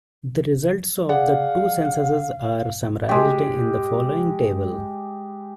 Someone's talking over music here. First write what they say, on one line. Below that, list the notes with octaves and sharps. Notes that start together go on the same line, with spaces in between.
The results of the two censuses are summarized in the following table.
G#4 D5 F5 F#5
G#3 G4